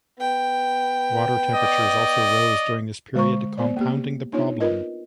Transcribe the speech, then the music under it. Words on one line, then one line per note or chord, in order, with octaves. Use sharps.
Water temperatures also rose during this period, compounding the problem.
B3 G5
D5 D#5
D3 G#3 C5 A#5 C#6
B3 C5 D5
A#3 G4
B3 D4 D#4 F4 C#5
F4 A#4 B4 D#5